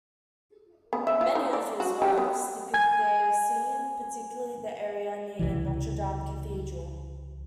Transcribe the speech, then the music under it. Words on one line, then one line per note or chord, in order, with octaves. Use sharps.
Many of his works depict the Seine, particularly the area near Notre-Dame Cathedral.
B3
E5
F4
D#4
D5
F#4
G4
B3
G#5 G#6
C#2 C3 E3